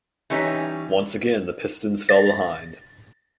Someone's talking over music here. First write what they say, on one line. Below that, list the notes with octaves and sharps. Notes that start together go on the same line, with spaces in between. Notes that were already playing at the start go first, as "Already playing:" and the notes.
Once again, the Pistons fell behind.
E3 G3 C#4 D#4 B4 C#5
A6